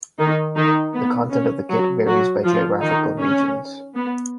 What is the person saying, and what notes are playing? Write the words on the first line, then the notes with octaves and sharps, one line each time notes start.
The content of the kit varies by geographical regions.
D#3 D#4
D#3 D#4
B3
C#4
F#3 F#4
F#3 F#4
F3 F4
D#3 D#4
C#4
B3